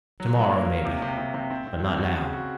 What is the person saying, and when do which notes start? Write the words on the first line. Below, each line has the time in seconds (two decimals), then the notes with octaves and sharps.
Tomorrow maybe, but not now.
0.20 F#3
0.36 F#3
0.52 A#3
0.69 A#3
0.85 C3
1.02 C3
1.18 C3
1.34 C3
1.50 C4
1.67 C4
1.84 C4
2.00 F#4
2.16 C#3
2.33 F#4